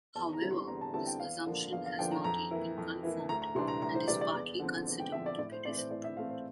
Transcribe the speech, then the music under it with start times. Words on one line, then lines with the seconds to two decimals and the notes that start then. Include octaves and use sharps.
However, this assumption has not yet been confirmed and is partly considered to be disproved.
0.15 E2 A5
0.33 A#5
0.41 D3 G3 C4 E4
0.51 C6
0.68 E2 A#5
0.81 A5
0.93 D3 G3 C4 E4 A5
1.07 G5
1.20 E2 F5
1.46 D3 F3 A#3 D4
1.72 E2 F5
1.86 F5
1.99 D3 F3 A#3 D4 G5
2.11 A#5
2.24 F2 A#5
2.51 E3 A#3 E4
2.77 F2
3.03 E3 A#3 E4
3.29 D2 A#5
3.42 A#5
3.55 C3 E3 G3 D4 C6
3.68 A#5
3.82 D2 A#5
3.95 C5
4.08 C3 E3 G3 D4 D5
4.21 D5
4.34 E2
4.59 D3 F3 C4
4.87 E2
5.00 G5
5.12 D3 F3 C4 E5
5.26 D5
5.38 A2 D5
5.52 C5
5.65 E3 A3 C4 D5
5.78 C5
5.90 A2 D5
6.04 E5
6.17 E3 A3 C4 F5
6.30 C5